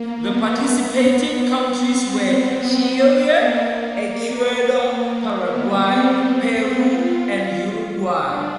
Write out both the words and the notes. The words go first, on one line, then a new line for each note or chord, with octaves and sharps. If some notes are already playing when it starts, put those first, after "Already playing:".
The participating countries were Chile, Ecuador, Paraguay, Peru, and Uruguay.
Already playing: A#3
B3
B3
C4
B3
B3
A#3
A#3
A#3
A#3
B3
C4
C4
B3
F4
F4
D4